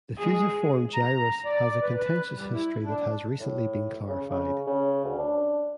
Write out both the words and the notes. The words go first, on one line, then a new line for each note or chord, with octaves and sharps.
The fusiform gyrus has a contentious history that has recently been clarified.
G#3 G#4
A#5
D5
B4
B4
G3
E4
D4
A2
C#3
C#3
C#3
D2
D4